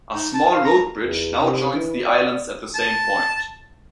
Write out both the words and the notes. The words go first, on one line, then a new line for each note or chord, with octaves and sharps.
A small road-bridge now joins the islands at the same point.
D#4
A5
F5
A#5
E2
C3
E3
D5
A5